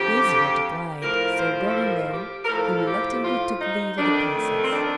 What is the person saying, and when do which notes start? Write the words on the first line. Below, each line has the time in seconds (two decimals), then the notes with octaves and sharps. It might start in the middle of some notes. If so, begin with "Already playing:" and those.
These were declined, so bowing low, he reluctantly took leave of the Princess.
Already playing: F2 D3 F3 G4
1.02 A2 F3 A#4
1.39 C5
1.59 G4
1.68 A4
1.76 A#4
2.13 G4
2.45 A#4
2.49 A2 F3 A4
2.77 A4
2.87 G4
3.24 F4
3.60 D#4
3.98 F2 D#3 D4
4.35 A3
4.64 C4
4.72 D4